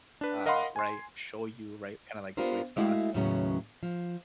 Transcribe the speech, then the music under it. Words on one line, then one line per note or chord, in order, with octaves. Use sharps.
uh, right, shoyu, right, kinda like soy sauce
D4 B4
A#4 D#5 F5 F#5 B5 C6
G#5 C6
B3 D4 F4 G4 A#4 C5
G#3 A3 E4 F#4 C5 F5
D#2 A2 C#3 F#3 B3 C#4
F3